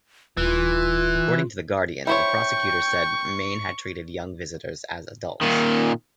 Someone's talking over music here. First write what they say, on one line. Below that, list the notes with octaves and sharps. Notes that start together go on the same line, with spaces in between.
According to "The Guardian", the prosecutor "said Mayne had treated young visitors as adults".
D#1 E3 F4
E4 C5 C#5 G5 C#6
A#2 D#3